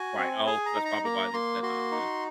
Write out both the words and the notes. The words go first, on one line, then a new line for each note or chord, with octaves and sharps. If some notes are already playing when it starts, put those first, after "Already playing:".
Right oh, so that's probably why they said not to.
Already playing: F#4 G#5
C4
G#4 G#5
A#5
D#4
A#5
A#3 A#5
A#3 C6
F#4 C6
D#4